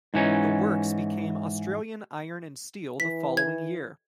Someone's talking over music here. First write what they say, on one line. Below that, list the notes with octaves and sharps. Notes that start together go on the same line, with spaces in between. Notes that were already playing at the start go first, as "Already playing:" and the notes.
The works became Australian Iron and Steel the following year.
G#2 E3 C#4 D#4
E3 B6
G#6